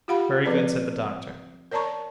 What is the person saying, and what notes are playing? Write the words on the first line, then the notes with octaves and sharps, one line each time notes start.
"Very good!" said the doctor.
F4 G4 F5 F#5 B5
F3 C4 B4 D5
A#4 C#5 D5 A5 A#5 C#6